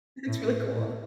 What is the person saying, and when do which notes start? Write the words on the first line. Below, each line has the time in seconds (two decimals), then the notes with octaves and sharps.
That's really cool.
0.27 A2
0.76 A2